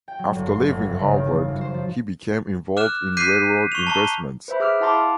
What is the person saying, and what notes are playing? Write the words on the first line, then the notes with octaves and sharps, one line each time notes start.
After leaving Harvard he became involved in railroad investments.
G5
F#3
G1
C6
G1
C2
C#3
D#3
F3
F#2
C5
F3
D6 F6 F#6 E7
D6 F#6 G6 B6 C7 D#7
C#6 F7
A5 A#5 C#6
B4 C5 E5 B5
G#4 E5 D6 E6 F6
E4 F#5 A5 A#5 C6 D6
F5 A5 C6